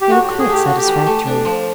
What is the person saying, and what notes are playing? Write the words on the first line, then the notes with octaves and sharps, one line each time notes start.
They were quite satisfactory.
G4
A2 F#4
A2
G#4
A3 G4
A2 F#4
G4
E3
A3
D4
F3